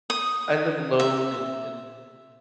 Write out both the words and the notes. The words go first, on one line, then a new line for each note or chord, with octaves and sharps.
I live alone and and
D#6
E5